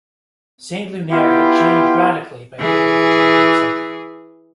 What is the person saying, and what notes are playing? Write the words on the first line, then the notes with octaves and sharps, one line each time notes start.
Saint-Lunaire had changed radically by the end of the twentieth century.
B3 E4 F4 G4 G5
E3 G#4